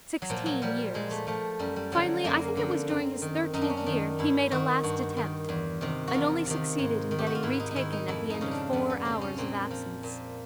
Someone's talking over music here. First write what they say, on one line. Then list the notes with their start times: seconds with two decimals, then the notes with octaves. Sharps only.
Sixteen years. Finally, I think it was during his thirteenth year, he made a last attempt, and only succeeded in getting retaken at the end of four hours of absence.
0.22 F#3
0.30 A#2 F3
0.46 F#3
0.62 F3 G3
0.94 A#2 G#3
1.11 A3
1.27 F3 A3
1.59 F#2 G3
1.76 G3
1.92 D3 F3 F#3
2.24 F#2 A#3
2.57 D3 F3
2.89 F#2 C4
3.22 D#3
3.53 F#2 D#4
3.61 D4
3.70 C#4
3.77 D4
3.86 D#3
4.19 G2 E4
4.51 D#3 F#4
4.83 G2 F#4
5.17 D#3
5.49 E2
5.81 C3 D#3
6.08 F#4
6.13 E2 F4
6.46 C3 D#3
6.79 G#2
7.11 D#3
7.18 G4
7.26 F#4
7.35 F4
7.43 G#2 E4
7.60 D#4
7.71 D#4
7.76 D#3 E4
7.92 D#4
8.08 F2 E4
8.30 D#4
8.41 C#3 F3
8.51 D4
8.73 F2 B3
8.90 B3
9.05 C#3 F3 C4
9.21 C#4
9.38 A#2 C4
9.71 F3
10.03 A#2